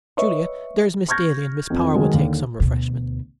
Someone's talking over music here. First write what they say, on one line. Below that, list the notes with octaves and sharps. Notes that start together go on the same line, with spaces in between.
Julia, there's Miss Daly and Miss Power will take some refreshment.
B4 C#5 D#5 E5 C#6
C#6 F6 G6 G#6 A#6
F2 C4
D#3 F#3 G#3 A3
D#2 D3
D2 B2